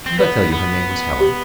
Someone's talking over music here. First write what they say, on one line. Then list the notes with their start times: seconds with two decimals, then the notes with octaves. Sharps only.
Didn't I tell you her name was Helen?
0.06 C4
0.19 B3 B4
0.52 B3
1.20 G4